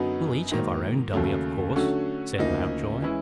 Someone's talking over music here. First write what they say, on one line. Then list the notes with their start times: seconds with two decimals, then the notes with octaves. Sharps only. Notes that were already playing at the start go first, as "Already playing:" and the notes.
"We'll each have our own dummy, of course," said Mountjoy.
Already playing: F#2 D3 F#3 B3 D#4
0.51 G#2 D#3 F#3 A#3
1.13 D#2 C#3 F#3 A3
1.76 D3 F#3 A3 C#4 F#4
2.38 D2 C#3 F3 A#3 D#4
3.02 E3 G#3 C#4 E4